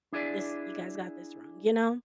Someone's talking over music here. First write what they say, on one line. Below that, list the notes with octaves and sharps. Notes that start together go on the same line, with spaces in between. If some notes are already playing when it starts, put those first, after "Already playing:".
This You guys got this wrong, you know?
D4 E4 G#4 D5